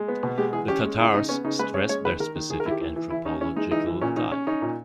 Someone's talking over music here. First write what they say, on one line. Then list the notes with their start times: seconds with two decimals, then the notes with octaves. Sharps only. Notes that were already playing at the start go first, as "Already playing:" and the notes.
The Tatars stress their specific anthropological type.
Already playing: G#3
0.08 B3
0.23 B2
0.38 G#3 G4
0.53 E3 G#4
0.68 C#4 G4
0.83 G#3
0.98 C#3 E4
1.14 C#3 D#4
1.29 B3 C#4
1.44 C#3 D#4
1.59 G#3 B4
1.74 C#4 C#5
1.89 G#3 C#5
2.05 D#3 B4
2.20 D#3 A#4
2.36 D#3
2.50 D#3 G#4
2.60 A#4
2.65 D#3 E4
2.71 G4
2.81 E3
2.96 E3
3.10 E3 E4
3.25 C#4 D#4
3.41 E3 C#4
3.56 G#3 D#4
3.71 E3 D#4
3.86 E3
4.01 A#2 C#4
4.16 C#4 D#4
4.32 C#4
4.47 C#4 D#4
4.62 A#2